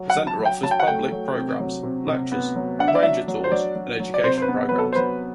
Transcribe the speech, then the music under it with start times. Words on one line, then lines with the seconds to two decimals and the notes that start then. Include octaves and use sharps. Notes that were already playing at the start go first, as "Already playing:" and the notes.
The center offers public programs, lectures, ranger tours and education programs.
Already playing: F#3
0.10 F#5
0.15 F#3
0.27 A5
0.39 F#3
0.45 G5
0.63 F#3 A5
0.71 G5
0.80 F#5
0.87 A3 G5
1.12 F#3
1.35 C3
1.60 F#3
1.83 C3
2.07 C3
2.32 B3
2.56 F#3
2.79 D4 F#5
2.88 E5
2.95 D5
3.03 F#3 E5
3.28 F#3
3.44 C5
3.51 F#3 D5
3.75 F#3
4.00 F#3
4.14 D5
4.24 C3 C5
4.38 C5
4.42 B4
4.48 B3
4.69 F#3 B4
4.78 A4
4.93 C5
4.96 F#3 B4